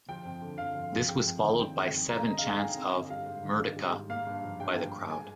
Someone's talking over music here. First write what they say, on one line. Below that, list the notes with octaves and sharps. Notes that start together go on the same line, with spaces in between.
This was followed by seven chants of "Merdeka" by the crowd.
F3 G5
F2
D3
F2 F5
F3
F2
G#3 G5
F2
D#3
C4 G5
G#3
F2
C4 A#5
D3 D#5
G#3 F5
G5
D#4 G#5
C4
D3
G3 F5
G#2
D#3
D4
G3
G#2
A#3 F5
G2
F3
G2 G5
A#3
G2
G#3 G#5